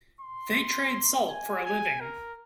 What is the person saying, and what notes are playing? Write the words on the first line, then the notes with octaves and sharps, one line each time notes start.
They trade salt for a living.
C6
G#5
G#5
A#4